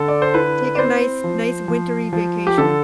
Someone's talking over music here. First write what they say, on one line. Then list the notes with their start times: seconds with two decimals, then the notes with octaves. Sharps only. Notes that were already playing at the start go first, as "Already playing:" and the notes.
Take a nice nice wintery vacation.
Already playing: D3 A4
0.08 D5
0.22 C5
0.34 E4 B4
0.75 D5
0.79 C4 C5
1.24 F3
1.68 F3
2.13 F3
2.47 G4
2.58 D3 A4